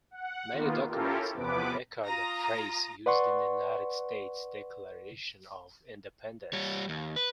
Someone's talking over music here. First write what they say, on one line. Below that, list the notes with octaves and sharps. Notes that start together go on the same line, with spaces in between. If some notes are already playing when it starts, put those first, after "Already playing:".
Many documents now echo the phrase used in the United States Declaration of Independence.
F#5
D#3 A#3 B3 F4
C#4 E4 F4 G4 A4 A#4
E2 C3 F3 B3 B4 D6
F4 A#5 D#6 A#6
B4 D5 F#5 C6 C#6
G3 C#5
D#2
B4